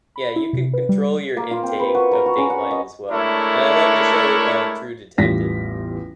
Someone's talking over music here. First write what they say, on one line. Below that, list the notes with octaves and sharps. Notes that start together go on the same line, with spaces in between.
Yeah, you can control your intake of Dateline as well, and I love the show, uh, True Detective.
B5
E4
C3
B4
G3
A#3
F4
C4
B4
F#4
A#4
F#4
C#4
F#5
D#5
G#3 A3 D4 E4 A#4 C#5
A1 E2 G3 F4 A#6 B6